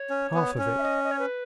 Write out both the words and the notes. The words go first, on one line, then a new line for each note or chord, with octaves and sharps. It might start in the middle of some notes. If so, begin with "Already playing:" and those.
"Half of it."
Already playing: C#5
C#4
B3
C#4
E5
D#5
D#5
C#5
B4